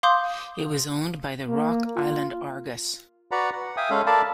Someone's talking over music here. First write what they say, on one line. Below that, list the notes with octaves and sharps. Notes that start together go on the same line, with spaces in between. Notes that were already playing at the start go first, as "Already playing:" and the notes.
It was owned by the Rock Island Argus.
F5 C6 D6 D#6 G6
A#3
F4
F#4 B4 D5 F#5 A#5 B5
F#5
E5 F5 G5 G#5 D#6
G#3 C#4 A4 F5
A4 A#4 D5 F5 A5 B5